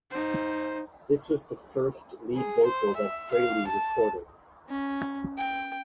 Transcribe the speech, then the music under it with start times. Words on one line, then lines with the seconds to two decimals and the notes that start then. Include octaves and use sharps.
This was the first lead vocal that Frehley recorded.
0.11 D#4 C5
2.37 G#4
2.66 C5
2.96 E5
3.31 F5
3.67 A5
4.69 C#4
5.38 G5